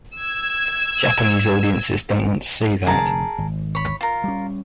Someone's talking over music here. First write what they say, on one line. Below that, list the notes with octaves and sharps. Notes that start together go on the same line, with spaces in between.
Japanese audiences don't want to see that.
E6 G#6
F1 D3 G#4 A#4 A5
G#1
C#5 B5
F4 A#4
G3 C#4